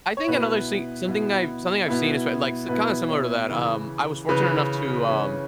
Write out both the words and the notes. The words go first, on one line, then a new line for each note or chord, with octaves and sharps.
I think another see something I've something I've seen is, pr like, s kinda similar to that. Um, I was fortunate enough to, um,
C#5
B2 B3 E4 B4
B2 B3 E4
B2 B3 E4
B2 B3 E4 B4
C#5
C#3 E3 C#4 B4
C#3 E3 C#4 B4
C#3 E3 C#4